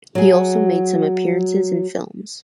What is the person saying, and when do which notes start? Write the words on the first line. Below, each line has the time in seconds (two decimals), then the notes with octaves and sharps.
He also made some appearances in films.
0.15 F#3 G#4